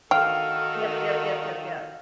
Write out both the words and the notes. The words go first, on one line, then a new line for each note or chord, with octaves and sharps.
Yep, yep, yep, yep, yep.
D#3 F#4 A4 F5 G5